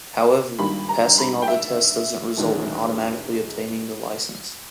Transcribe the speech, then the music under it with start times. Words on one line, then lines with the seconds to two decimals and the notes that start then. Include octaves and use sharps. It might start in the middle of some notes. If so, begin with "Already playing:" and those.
However, passing all tests doesn't result in automatically obtaining the license.
0.59 G#1 G2 D#3 G3 A#3 B5
0.89 A#5
1.18 B5
1.42 G5
1.48 E5
2.37 E1 E2 D#3 G#3